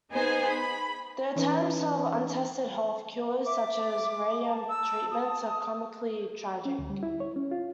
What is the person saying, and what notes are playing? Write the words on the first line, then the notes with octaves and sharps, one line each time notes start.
His attempts at untested health cures, such as radium treatments, are comically tragic.
B3 D#4 G#4 C5 G#5
B5
E3 C#4 D#4 B4
E5 D6
A5
E6
D#6
C#4
D2
G3
E4
C#5
C#4
F4